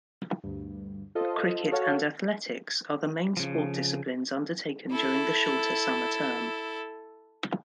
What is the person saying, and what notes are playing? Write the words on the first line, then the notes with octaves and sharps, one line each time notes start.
Cricket and athletics are the main sports disciplines undertaken during the shorter Summer term.
D2 G2
F4 A4 C5 D#5
F#4 A4 C#5 F5
C#3 F3
E4 A4